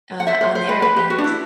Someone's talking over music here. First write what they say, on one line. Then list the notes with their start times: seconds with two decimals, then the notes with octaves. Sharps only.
uh, on their end,
0.20 F#5
0.27 C5 E5
0.41 C5
0.55 C5
0.69 B4
0.82 B4
0.96 G4
1.10 F#4
1.18 D4
1.24 E4